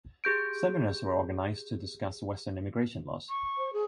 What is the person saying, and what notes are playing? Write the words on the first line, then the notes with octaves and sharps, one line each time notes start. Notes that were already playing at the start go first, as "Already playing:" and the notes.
Seminars were organized to discuss Western immigration laws.
G4 G#4 G6 D7
C#6
C5
G#4